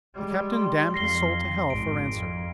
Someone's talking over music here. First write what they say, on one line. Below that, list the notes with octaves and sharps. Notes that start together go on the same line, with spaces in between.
The Captain damned his soul to hell for answer.
G3 G#3
C6
F2 A#6 C7 G7
G#1 D7
F2